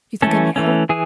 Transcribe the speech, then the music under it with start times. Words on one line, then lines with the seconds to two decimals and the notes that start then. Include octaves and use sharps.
You think I may hope?
0.22 E3 A3 C#4 A4
0.56 E3 A3 C#4
0.89 E3 G#4